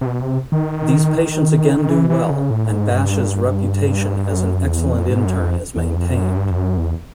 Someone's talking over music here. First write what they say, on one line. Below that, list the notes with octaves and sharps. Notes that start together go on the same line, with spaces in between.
These patients again do well, and Basch's reputation as an excellent intern is maintained.
C3
B2
C3
D#3
E3
E3
C#3
A2
G#2
G2
F#2
E2
F2
G#2
F#2
F2
E2
F2
F#2
G2
F2
F#2
E2